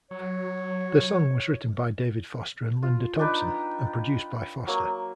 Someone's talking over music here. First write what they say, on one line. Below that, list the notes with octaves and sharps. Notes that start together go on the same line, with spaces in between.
The song was written by David Foster and Linda Thompson, and produced by Foster.
F#3 C#5
F4
D4 D#4 B4 G5
F#3 A#3 C#6